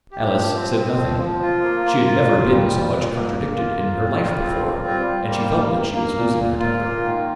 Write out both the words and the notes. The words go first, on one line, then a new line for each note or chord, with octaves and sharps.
Alice said nothing: she had never been so much contradicted in her life before, and she felt that she was losing her temper.
G4
F3
C4
C4
F3
F3
F4
A#3
A#3
F4
A#2
G3
A#2
A#2
A#3
A#3
F4
F4
G3
F4
C4
F4
G3
G3
A#3
A#3
A#3
A#3
A#2
A#2
F4
A#3
D#3